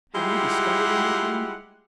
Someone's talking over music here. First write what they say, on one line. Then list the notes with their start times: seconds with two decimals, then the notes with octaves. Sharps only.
"Have you discovered anything?"
0.15 G3 G#3 E4 F4 G4 F#5